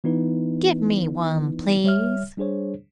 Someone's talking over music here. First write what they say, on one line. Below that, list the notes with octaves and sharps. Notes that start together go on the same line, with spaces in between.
"Give me one, please."
E3 B3 D#4 E4 B4
G3 C#5 E5 F6
G3 D4 G#4 C5 C#5